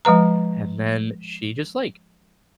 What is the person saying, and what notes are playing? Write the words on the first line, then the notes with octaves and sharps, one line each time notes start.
and then she just, like,
F3 G#3 B4 A#5